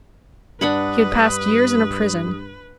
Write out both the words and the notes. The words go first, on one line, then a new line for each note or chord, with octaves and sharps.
He had passed years in a prison.
G2 D4 B4 F#5 B5 D#6